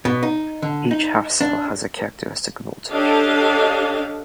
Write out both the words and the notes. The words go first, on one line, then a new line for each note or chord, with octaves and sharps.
Each half-cell has a characteristic voltage.
B2
D#4
D3
D#4
D4
D4 G4 A4 C#5 D#5 F5